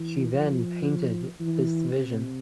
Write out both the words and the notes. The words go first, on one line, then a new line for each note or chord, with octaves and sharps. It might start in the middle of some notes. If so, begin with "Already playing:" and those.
She then painted this vision.
Already playing: E3
F3
E3
C3